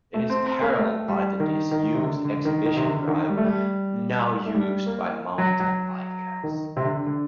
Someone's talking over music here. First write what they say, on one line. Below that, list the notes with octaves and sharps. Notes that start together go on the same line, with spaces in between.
It is paralleled by the disused Exhibition Drive, now used by mountain bikers.
A3
C4
C4
A#3
A3
G3
D#3
D#3
C3
D3
D3
D3
D#3
D#3
C3
D3
D#3
G3
A3
G3
A3
G3
A#3
F#3
F#3
D#3
C3
D3
D3